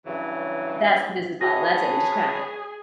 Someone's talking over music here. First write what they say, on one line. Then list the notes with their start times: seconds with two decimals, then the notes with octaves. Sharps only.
That's the business model. That's it, we just cracked it.
0.06 G2 C#3 E3 F#3
1.41 F#4 G#4 B4 C#5 A5 D#6 A#6